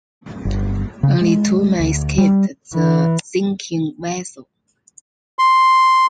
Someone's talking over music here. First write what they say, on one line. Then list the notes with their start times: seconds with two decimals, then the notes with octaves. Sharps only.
Only two men escaped the sinking vessel.
0.45 G1
1.03 C#3
1.21 G#3
1.80 D2
2.18 G3
2.74 E3
5.39 C6